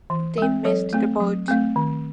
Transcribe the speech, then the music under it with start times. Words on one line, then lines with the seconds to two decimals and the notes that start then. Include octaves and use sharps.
They missed the boat.
0.10 E3
0.38 G#3 C4
0.65 F#3 A4 C#5
0.93 A3 C4
1.20 F#3
1.48 A3 C4
1.76 D#3